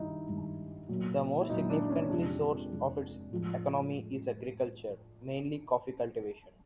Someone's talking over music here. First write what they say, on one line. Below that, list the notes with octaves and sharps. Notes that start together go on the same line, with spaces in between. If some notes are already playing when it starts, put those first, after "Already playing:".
The more significantly source of its economy is agriculture, mainly coffee cultivation.
Already playing: G2 D#3 G3 D#4 E4
G2 D#3 G3
A#2 F#3
E4
A#2 F#3 D#4
D4
C#4
F2 C3 F3 G#3 D4
F2 C3 F3 G#3
A2 F3 G#3